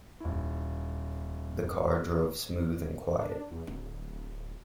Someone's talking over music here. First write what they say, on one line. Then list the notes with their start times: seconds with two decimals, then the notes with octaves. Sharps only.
The car drove smooth and quiet.
0.20 D#1 E4
3.18 D4
3.51 E2
3.68 D1